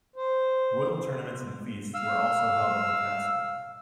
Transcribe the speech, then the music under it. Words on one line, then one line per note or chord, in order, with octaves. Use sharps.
Royal tournaments and feasts were also held at the castle.
C5
F5 E6